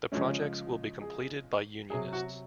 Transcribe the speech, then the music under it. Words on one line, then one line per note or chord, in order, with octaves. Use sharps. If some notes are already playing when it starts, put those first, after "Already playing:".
The projects will be completed by unionists.
C#3 F3 G#3 C#4
G#4
C3 F#3 G#4
F#4